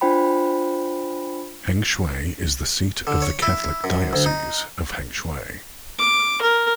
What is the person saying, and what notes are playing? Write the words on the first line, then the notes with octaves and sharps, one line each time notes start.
Hengshui is the seat of the Catholic Diocese of Hengshui.
D4 F4 C5 G5 B5
D3
C#5
E4
F#2
D2
D#4
D6
A#4